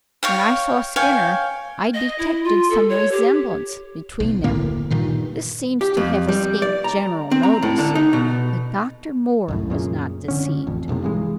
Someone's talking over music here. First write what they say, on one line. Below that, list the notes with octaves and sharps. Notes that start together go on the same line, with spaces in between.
When I saw Skinner, I detected some resemblance between them--this seems to have escaped general notice, but Dr. Moore was not deceived.
C#5 F5 G5
C#5 F5 G5 G#5
D#5
E4
F4
A4
C#5
G4
B1
D#1 D2 A2 A#3
G2 A#2 D#3
G4
F2
G3
D5
A#5
C4
A#5
A2
D3
D#4
B2
C2 F#2 A2
F#2 A#2 C#3
D3 C#4
A1 F2
F1 B1 A2 C3
G2 E3 G#3